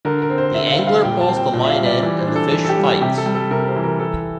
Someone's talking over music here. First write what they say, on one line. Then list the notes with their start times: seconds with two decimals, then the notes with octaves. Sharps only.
The angler pulls the line in and the fish fights.
0.05 D3 A#4
0.22 A#4
0.30 C4
0.38 C5
0.54 D3 E5
0.72 F5
0.79 G3
0.87 F5
1.04 A#2 G5
1.21 A5
1.29 C4
1.37 G5
1.54 A#2 G5
1.65 E5
1.70 F5
1.78 G3
1.86 D5
2.03 E3 D5
2.19 C5
2.27 D4
2.36 A4
2.52 E3
2.64 A4
2.69 G4
2.77 G3
3.01 C3 G4
3.18 A4
3.26 G3
3.35 A4
3.51 C3 A#4
3.68 C5
3.76 E3
3.84 A#4
4.00 E3 A4